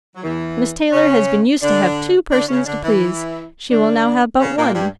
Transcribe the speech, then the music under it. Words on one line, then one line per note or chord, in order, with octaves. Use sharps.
Miss Taylor has been used to have two persons to please; she will now have but one.
F#3
E2 E3
C#3 C#4
D3 D4
D3 D4
C#3 C#4
D3 D4
E3 E4
D3 D4
C#3 C#4
A#2 A#3
G2 G3